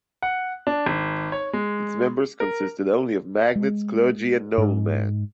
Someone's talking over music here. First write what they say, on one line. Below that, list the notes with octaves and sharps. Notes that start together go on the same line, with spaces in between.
Its members consisted only of magnates, clergy and noblemen.
F#5
D4
G#1
C#5
G#3
A#4
G#3
G#2